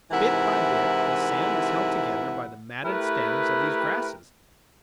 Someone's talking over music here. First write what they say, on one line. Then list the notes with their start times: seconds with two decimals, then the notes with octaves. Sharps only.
Bit by bit, the sand is held together by the matted stems of these grasses.
0.11 G#2 C3 E3 E4 A#4 F#5
2.84 A3 E4 G4 A#4 B4